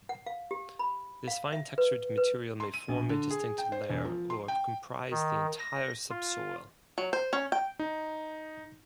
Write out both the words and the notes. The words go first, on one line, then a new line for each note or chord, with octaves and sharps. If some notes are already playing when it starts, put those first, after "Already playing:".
This fine-textured material may form a distinct layer or comprise the entire subsoil.
F#5
F5
G4
B5
F5
E5
B4
B4
C6
D#7
A#1
D3
G#4
G5
C5
E1
F3
C6
G5
D#3
A#6
F4
F#3
C5
C#4
G5
D#4